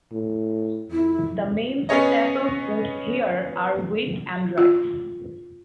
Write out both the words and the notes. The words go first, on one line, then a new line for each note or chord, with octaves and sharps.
The main staple foods here are wheat and rice.
A2
F2 E4
B3 C#4 G#4 C#5 D#5
F4